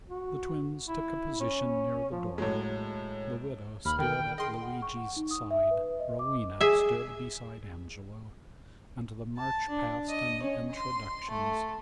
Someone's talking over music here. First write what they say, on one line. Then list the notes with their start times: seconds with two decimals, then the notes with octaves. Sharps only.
The twins took a position near the door, the widow stood at Luigi's side, Rowena stood beside Angelo, and the march-past and the introductions began.
0.10 F#4
0.88 E4
1.40 C#4
2.11 F3
2.38 A2 F#3 G#3
3.85 D#2 B5 F6
3.99 D3 D#3 G5
4.38 G#4 D#5 G5 C6
4.62 F#5
4.82 C#6
4.97 F#5
5.16 D#4
5.31 D#6
5.51 E5
5.71 B4
6.00 D#5
6.19 D6
6.61 G#4 E5
9.37 A5
9.69 D4
10.09 D#5
10.43 C#4
10.72 C6
11.29 A3